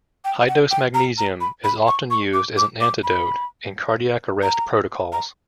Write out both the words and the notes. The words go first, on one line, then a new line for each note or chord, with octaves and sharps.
High-dose magnesium is often used as an antidote in cardiac arrest protocols.
G5
F#5
G5
A#5
A#5
B5
B5
C#6
C#6
D6
D6
D6
B5
A#5
A#5